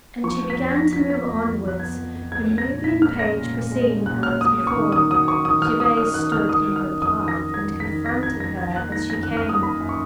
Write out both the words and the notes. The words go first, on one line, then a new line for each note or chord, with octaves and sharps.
And she began to move onwards, her Nubian page preceding her as before. Gervase stood in her path and confronted her as she came.
F3 C#6
B3
B6
F2
F2 A#6
F3 B6
B3 B6
F2
F2
F3
F#6
B3 G#6
F2
F2
G#3 G#6
C#4
A#6
A#2
A#2 B6
G#3 F6
C#4 A#6
A#2
A#2
G#3
C#4
A#2 F#6
A#2 F6
F#3 D#6
C#4
C#6
D#3
D#3 D#6
F#3 D#6
C#4 C#6
D#3 D#6
D#3 F6
F#3 D#6
C#4 F6
D#3 F#6
D#3 F6
D#3 D#6
F#3
F6
C#4
F2 D#6
D#3
A#6
F#3
C#4 G#6
F2
B6
D#3
F#3 A#6
C#4 G#6
F2 A#6
D#3 G#6
A#3 F#6
D#4 A#6
F#2 A#6
F#6
D#3
F6
A#3 D#6
D#4 B5
F#2
C#6